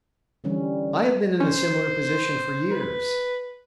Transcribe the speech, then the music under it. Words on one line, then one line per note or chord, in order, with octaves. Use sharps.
I have been in a similar position for years.
D3 E3 G3 C#4
C#4 C5
B4